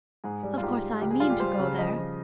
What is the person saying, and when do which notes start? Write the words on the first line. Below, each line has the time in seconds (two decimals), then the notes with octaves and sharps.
Of course I mean to go there.
0.24 G#2 G#4
0.43 G3
0.58 F4
0.62 G#2 G4
0.82 G3
1.01 C#2 G4
1.10 G#4
1.20 G3 F4
1.30 G4
1.40 G3 C5
1.59 C#3
1.79 F3 D#5
1.97 F3